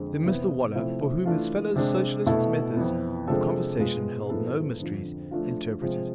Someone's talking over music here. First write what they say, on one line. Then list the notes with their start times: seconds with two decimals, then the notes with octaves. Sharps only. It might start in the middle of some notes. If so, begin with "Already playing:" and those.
Then Mr Waller, for whom his fellow Socialist's methods of conversation held no mysteries, interpreted.
Already playing: F2 D3 G#3
0.24 C3 E3 B3 E4
0.74 C3 F3 A3 E4
1.25 E3 A3 D4 F4
1.76 C3 G#3 D4
2.26 B2 A3 E4 A4
2.77 F2 E3 B3
3.28 C3 F3 G#3 D4 A4
3.79 B2 G#3 B3 F4
4.29 G#2 F3 B3 E4 A4
4.80 F2 D3 F3
5.31 F3 A3 D4 F4
5.82 C3 F3 G#3